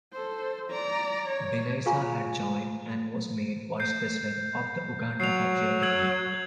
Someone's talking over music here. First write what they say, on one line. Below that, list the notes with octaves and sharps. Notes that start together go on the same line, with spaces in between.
Binaisa had joined, and was made vice president of the Uganda Patriotic Movement.
A4 C5
D5 A#5
C#5
F4 G#4 F5 G#5 A#5 C#6
G6 C7
F#3 C7 F7
E6 G#6 F#7